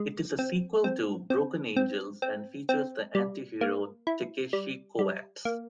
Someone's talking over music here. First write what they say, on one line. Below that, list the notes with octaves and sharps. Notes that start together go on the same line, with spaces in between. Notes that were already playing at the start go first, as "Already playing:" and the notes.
It is a sequel to "Broken Angels", and features the anti-hero Takeshi Kovacs.
Already playing: G#3
C4
C4
C4
C4
C4
C4
G3
A#3
E4
G3
G3
A#3